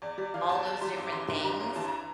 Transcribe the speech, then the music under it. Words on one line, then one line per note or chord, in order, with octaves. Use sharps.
all those different things,
E2 D5
G3 D5
E3 F5
E2 A5
E2 A5
G3 C6
A1 D6
E3 C6
G2 C6
G3 A#5
A1 C6
E3 A5
A#5